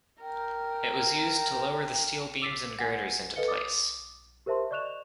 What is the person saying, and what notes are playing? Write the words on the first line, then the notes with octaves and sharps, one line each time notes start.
It was used to lower the steel beams and girders into place.
A#4 G5
D6 E6 A6 B6 C7
F#5 G#5
A4 B4 D#5 F5 C#7 G7
D6 D#6 A6
G4 A#4 C5 E5 A5 C6
D5 D#5 C#6 F#6 E7 F7